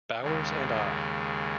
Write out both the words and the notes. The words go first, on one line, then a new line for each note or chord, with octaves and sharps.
Bowers and I.
D#2 C#3 G#3